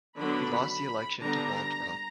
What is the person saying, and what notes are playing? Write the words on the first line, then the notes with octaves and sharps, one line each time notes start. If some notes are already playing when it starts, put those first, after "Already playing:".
He lost the election to Waldrop.
D3 F#3 B3 D4 B5
D3 G3 B3 D4 A#5